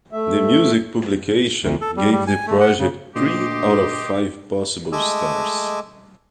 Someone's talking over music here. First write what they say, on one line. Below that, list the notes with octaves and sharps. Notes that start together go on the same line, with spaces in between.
The music publication gave the project three out of five possible stars.
A3 E5
D2
A4
G3
G3
G#5
A3
F#5
C#3
D2 A#2 G4 D#5 C6 D6
G#3 A3 D#5 G#5 D6 E6